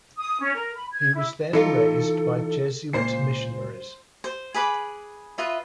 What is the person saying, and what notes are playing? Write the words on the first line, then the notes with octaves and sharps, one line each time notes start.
He was then raised by Jesuit missionaries.
D#6
C#4
A#4
B5
G#6
E4
E3 D#4 F4 A4
C#2 A#2 C5 C7
C5
G#4 B4 B5 D6
F4 B4 D#5 E5